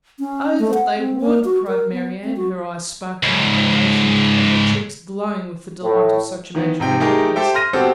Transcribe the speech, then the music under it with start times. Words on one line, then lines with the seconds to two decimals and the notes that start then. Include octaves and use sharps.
"Oh that they would!" cried Marianne, her eyes sparkling with animation, and her cheeks glowing with the delight of such imaginary happiness.
0.19 C#4
0.59 A3
0.74 F#5
0.98 C4
1.20 A#3
1.45 F#4
1.67 A#4
1.92 B3
2.24 C4
2.36 F#4
3.23 C#2 G#2
5.82 A2
6.55 D#3 E3 B3
6.80 G#2 C3 G5
7.00 A3 D#4 G4 G#4 A#4
7.36 G4 A4 C5 E5 G5
7.54 C6 F6 A#6 D#7
7.73 B2 C4 F#4 G4 A4